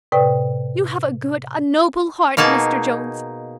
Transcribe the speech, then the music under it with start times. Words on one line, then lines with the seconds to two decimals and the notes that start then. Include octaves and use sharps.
You have a good--a noble heart, Mr Jones.
0.12 A2 C3 B4 D5 G5 D#6
2.37 B2 A#3 D#4 G#4 A5